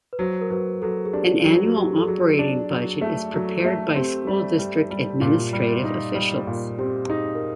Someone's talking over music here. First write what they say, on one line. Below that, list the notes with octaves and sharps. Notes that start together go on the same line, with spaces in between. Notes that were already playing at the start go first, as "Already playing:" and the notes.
An annual operating budget is prepared by school district administrative officials.
B4
F#3 C5
A#4
F#3 B4
F#3 A4
G#4
D4 G4
F#3
F#4
F#3 G4
A4
F#3 G#4
D4
F#3
A3 A4
F#3
A3
C4 G4
G3
G3
G3
A#2
G3
D#4
G3
A#2
C4 G4
D#4 G#4
A#4